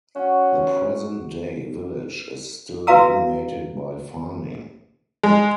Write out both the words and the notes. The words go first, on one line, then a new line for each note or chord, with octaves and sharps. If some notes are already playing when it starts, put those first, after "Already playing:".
The present day village is still dominated by farming.
C#4 F#4
F#4 B4 E5 F5 A#5 E6
G#3